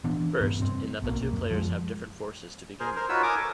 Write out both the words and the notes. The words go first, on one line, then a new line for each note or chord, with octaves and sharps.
First, in that the two players have different forces to begin with.
E3 B3 D4
G2 C3 B3
G2 C4
B1 B2 A#3
F#2
F3 F#3 G#3
G#4 A#4 C5
A#4 C5
D#4 F4 F#4 B4 C#5 E6
A#4 G#5 D6 D#6
A4 A#4